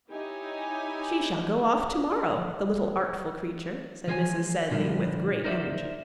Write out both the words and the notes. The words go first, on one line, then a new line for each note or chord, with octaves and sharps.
"She shall go off to-morrow, the little artful creature," said Mrs. Sedley, with great energy.
D#4 E4 G4 C#5 G#5
E3 F3 G#3 C5 C#5 G#5
A#2 D3 F3 G3 D4
D#4 A#4 C5 D5 E5